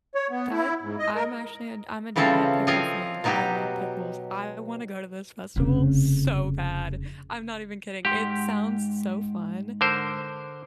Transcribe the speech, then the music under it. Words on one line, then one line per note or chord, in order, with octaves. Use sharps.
That I'm actually I'm a giant pickle fan. I love pickles. I want to go to this festival so bad. I'm not even kidding. It sounds so fun
C#5
B3
E4
G#2
D#5
A#4
C#3 E3 F3 C4 C#4 A4
F3 C4 F4 D#5 F5 G#5
B2 F#3 D#4 F#4 G4
F1 C#3
G#2 G4 F#5 C6
D3 A#4 C5